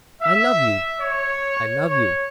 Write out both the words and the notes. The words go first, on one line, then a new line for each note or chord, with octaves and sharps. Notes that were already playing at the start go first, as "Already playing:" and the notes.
I love you!--I love you!
E5
C#5
C#5